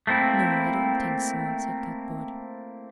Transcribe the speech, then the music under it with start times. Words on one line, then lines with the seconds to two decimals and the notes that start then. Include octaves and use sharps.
"No, I don't think so," said Cuthbert.
0.07 A3 A#3 C4 E4